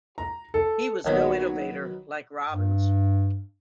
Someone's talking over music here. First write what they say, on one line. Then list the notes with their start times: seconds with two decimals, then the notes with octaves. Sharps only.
He was no innovator, like Robbins.
0.18 A#5
0.54 A4
1.04 A#1 D#3 F#3 B3 B5
2.46 G2